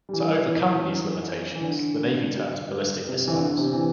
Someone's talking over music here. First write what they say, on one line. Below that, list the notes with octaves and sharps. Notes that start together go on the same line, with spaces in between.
To over come these limitations, the Navy turned to ballistic missiles.
G3
E3
E3
D3
C3
E3
D3
C3
E3